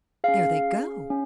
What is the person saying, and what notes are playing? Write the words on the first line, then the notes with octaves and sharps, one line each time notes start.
"There they go!"
C#4 G#4 F5
C#4